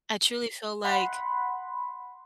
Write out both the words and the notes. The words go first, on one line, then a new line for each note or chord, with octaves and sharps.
I truly feel like,
F#5 B5 C6